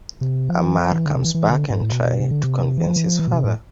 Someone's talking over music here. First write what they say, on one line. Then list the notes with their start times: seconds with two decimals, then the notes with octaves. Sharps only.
Amar comes back and try to convince his father.
0.21 C3
0.49 F3
0.63 E3
0.78 F3
0.92 E3
1.06 D3
1.16 C3
1.24 E3
1.34 E3
1.49 D3
1.70 G#2
1.81 A2
1.91 B2
2.20 C3
2.31 D3
2.44 C3
2.77 E3
2.87 F3
2.96 E3
3.06 F3
3.19 E3
3.27 B2
3.33 C3
3.44 A2